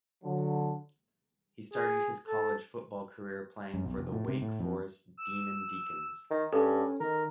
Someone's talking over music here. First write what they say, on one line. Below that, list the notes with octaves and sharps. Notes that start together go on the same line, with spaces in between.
He started his college football career playing for the Wake Forest Demon Deacons.
D3 F#3
G#4
A4
F#2
B1
F1
A2
C3
A2
F2
E6
D#3
G2 C#4 A4
D#3 A#4